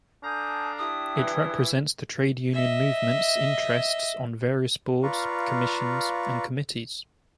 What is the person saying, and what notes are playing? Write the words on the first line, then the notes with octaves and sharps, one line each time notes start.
It represents the trade union movement's interests on various boards, commissions and committees.
D4 A4 F5 G#5 A#5 D#6 G6
E4 G4 G5 D#6
E3
D#5 E5
F4 B4 D5 F5 A#5 C#6